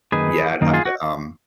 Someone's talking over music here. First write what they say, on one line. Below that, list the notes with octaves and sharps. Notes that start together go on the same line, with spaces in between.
yeah, I'd have to, um,
F#2 D#3 A#3 D#4 G#4 B4
F#2 D#3 A#3 D#4
F4 G#4
F#4